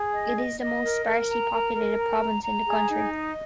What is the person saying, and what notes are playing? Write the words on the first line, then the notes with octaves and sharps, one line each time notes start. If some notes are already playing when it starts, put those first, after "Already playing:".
It is the most sparsely populated province in the country.
Already playing: G#4
D#5
D#5
D#5
A#4
A#4
A#5
A#4
A#4
A#5
A#5
A#5
G#4
D#4
D#5